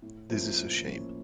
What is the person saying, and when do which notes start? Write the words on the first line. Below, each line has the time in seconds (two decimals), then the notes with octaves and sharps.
This is a shame.
0.02 A2
0.30 F3 A#3 C#4 E4
0.57 A2
0.85 F3 A#3 C#4 E4